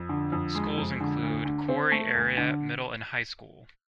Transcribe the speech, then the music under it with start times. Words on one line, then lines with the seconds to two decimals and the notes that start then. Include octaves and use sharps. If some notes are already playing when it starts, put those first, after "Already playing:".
Schools include Corry Area Middle and High School.
Already playing: F2
0.09 D3
0.32 F2
0.55 G#3
0.77 F2
1.00 D3
1.23 D2
1.45 D3
1.68 C4
1.92 A3
2.15 D2
2.37 D3